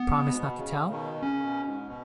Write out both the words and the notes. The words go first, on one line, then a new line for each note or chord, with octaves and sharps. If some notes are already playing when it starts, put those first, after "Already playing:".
Promise not to tell?
Already playing: B3
B2
G#2
B2
C#3
B2 D#3
B2
C#3 C#4
B2
G#2
B2